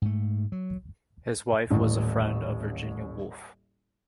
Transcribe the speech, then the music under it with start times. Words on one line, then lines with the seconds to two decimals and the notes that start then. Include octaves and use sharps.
His wife was a friend of Virginia Woolf.
0.02 G#2 A3
0.52 F#3
1.70 D#1 A1 A2